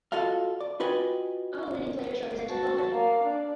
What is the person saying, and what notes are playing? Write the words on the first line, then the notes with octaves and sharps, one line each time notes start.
All winning players represented Augur.
F4 F#4 A4 D#5 F5
D5
F4 F#4 B4 D#5 G5 G#5
F#4 A5
A#3 F5
D4